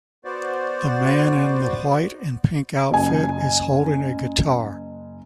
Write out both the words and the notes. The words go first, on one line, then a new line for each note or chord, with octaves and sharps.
The man in the white and pink outfit is holding a guitar.
B3 F#4 C5 D5
F#1 G#5